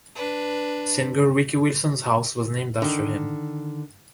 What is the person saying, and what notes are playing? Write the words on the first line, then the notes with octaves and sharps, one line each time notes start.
Singer Ricky Wilson's house was named after him.
D4 B4
D3 D#3